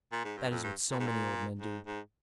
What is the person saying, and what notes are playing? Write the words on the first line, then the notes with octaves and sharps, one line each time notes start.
That is what so many old men do.
A#2
G#2
G2
F2
G2
A#2
G#2
A#2
G#2
G#2